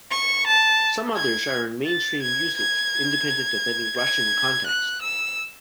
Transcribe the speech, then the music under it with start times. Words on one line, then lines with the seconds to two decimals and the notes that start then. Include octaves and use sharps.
Some others are in mainstream usage, independent of any Russian context.
0.11 C#6
0.47 A5
1.16 G#6
1.87 A6
2.22 G#6
2.57 G#6
3.96 G#6
4.66 F#6
5.02 E6